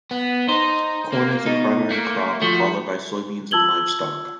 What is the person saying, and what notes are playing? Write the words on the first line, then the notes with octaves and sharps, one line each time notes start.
Corn is the primary crop, followed by soybeans and livestock.
B3
D#4 C5
A#3
B2 D#4
A3 A#3
F3 A3 F#4
F4 A5 E6 G#6 F#7 G7